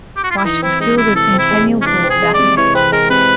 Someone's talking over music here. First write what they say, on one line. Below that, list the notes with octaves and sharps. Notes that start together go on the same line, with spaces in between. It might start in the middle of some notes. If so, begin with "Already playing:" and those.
Why, she could fill the Centennial Hall without an effort.
G4
F#4
F4
E4
E3 D#4
C4 E4
G#3 D#4
C3 E4
E3 A4
C4
E4
G#3
C3
C#4
E3 D4
C4
G#4
G#3
D5
C3
E3 C#5
C4 B4
G#3 A#4
C3 B4